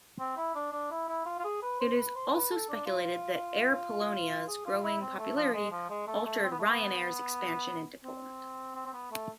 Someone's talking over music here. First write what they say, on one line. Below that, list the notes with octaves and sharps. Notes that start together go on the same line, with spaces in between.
It is also speculated that Air Polonia's growing popularity altered Ryanair's expansion into Poland.
C4
E4
D4
D4
E4
E4
F4
F4
G#4
B4
C5
B4
C5
B4
A4
D4
F4
G#4
F4
E4
C4
A3
F3
G#3
F3
G#3
A3
A3
C4
B3
A3
B3
C4
C4
C4
B3
A3